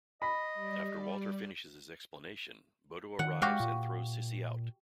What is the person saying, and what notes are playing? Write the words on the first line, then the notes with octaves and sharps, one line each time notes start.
After Walter finishes his explanation, Bodo arrives and throws Sissi out.
D#5 B5
G3 D5
D#3 F#5
G#3 F#4 G4 F5
A#2